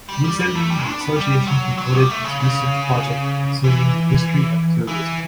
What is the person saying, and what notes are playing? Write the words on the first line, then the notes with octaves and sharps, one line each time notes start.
Recently the Association promoted its research project concerning the history of tourism.
G3
G3
G3
A3
G3
D4
B3
G3
F#3
F#3
G3
A3
C#3
C#3
E3
E3